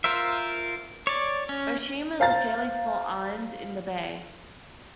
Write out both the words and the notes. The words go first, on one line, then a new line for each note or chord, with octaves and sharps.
Aoshima is a fairly small island in the bay.
F4 A#4 C5 E5
C#5 D5
C#4
C5 F5 A#5 A6